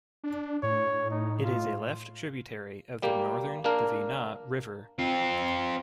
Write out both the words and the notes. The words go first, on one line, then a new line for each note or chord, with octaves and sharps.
It is a left tributary of the Northern Dvina River.
D4
A2 C#5
D#4
F4
G3 A#3 G4
A#3 D4 A#4
C4 F4